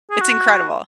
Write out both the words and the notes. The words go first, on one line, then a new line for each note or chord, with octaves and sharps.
It's incredible.
G#4
F#4